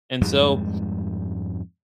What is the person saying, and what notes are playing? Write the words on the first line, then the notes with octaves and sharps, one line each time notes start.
And so
F2 G#2 G3 G#3